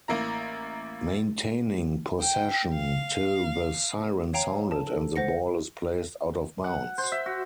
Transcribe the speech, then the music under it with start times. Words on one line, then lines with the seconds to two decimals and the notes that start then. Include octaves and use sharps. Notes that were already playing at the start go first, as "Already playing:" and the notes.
Maintaining possession till the siren sounded and the ball is placed out of bounds.
0.08 A1 A#3 E4 A#5
2.21 G5
2.73 F5
4.33 C#5 F5 G5 A#5
4.71 A5
4.87 A4
5.16 C5 F#5 A#6 C#7
6.64 F#5
6.98 C5
7.12 E5
7.26 F#4